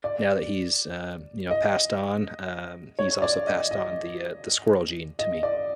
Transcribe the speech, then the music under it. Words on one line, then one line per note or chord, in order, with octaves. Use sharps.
now that he's, um, you know, passed on, um, he's also passed on the, uh the squirrel gene to me.
D5
D#5
C#5
D5
D#5
D#5
D#5
D5